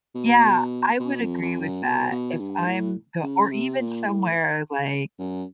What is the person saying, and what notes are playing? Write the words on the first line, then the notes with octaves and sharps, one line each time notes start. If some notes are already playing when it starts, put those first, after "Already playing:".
Yeah, I would agree with that. If I'm go or even somewhere like
B2
B2
F2
F2
F#2
B2
B2
G2
A2
C#3
C3
A#2
A2
F#2